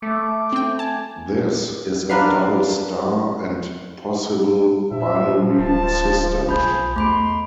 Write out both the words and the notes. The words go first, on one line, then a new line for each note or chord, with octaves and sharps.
This is a double star and possible binary system.
A3 D6
C4 G5
G#5 A5
D4 A#4 B4 F5
A#2 F3 E5
D1 A5
B1 G#4 B5 G6
E2 A3 B5 C6 D7